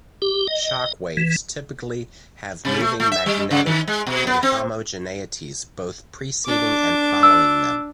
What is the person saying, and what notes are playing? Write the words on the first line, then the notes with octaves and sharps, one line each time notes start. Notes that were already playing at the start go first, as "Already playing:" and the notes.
Shock waves typically have moving magnetic inhomogeneities both preceding and following them.
G4
D#5
E3
C3
A3
A3
E5
G3
C#3
D#3
G#3
B2
B3
C4
D4 D6
E6